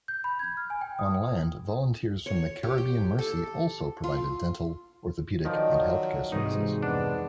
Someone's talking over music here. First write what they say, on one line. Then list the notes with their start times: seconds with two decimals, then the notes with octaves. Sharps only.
On land, volunteers from the "Caribbean Mercy" also provided dental, orthopedic and healthcare services.
0.08 G6
0.24 B5
0.39 G#6
0.57 F6
0.70 G#5
0.81 G5
0.99 D#6
2.26 C#5
2.63 G4
2.78 G5
3.19 A4
4.04 F4
5.45 D#3 F3 F#3 D5 D#5 G5
6.32 G#2 C3 E3 D#4 F#4 G#4
6.83 B1 F2 B3 D4